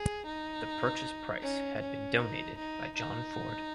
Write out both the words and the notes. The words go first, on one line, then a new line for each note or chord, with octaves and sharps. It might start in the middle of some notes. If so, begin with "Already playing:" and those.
The purchase price had been donated by John Ford.
Already playing: G#4
D#4
C#4
C#4
D#4
D#4
D#4